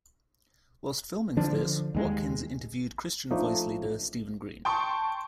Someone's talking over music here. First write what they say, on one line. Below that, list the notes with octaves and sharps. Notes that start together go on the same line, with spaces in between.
Whilst filming for this, Watkins interviewed Christian Voice leader Stephen Green.
D3 F3 D4
D#2 G#3
F3 A3 D4 D#4
G5 A5 C6 C#6